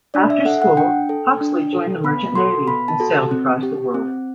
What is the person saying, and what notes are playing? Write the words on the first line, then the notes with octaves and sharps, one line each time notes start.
After school, Hawksley joined the Merchant Navy, and sailed across the world.
D4 D5
E5
A4 F#5
F#5
D4 G5
A4
D4
A4
B3 B5
F#4 A4 C6
B3 B5
A5
F#4 A4
C4
G4
C4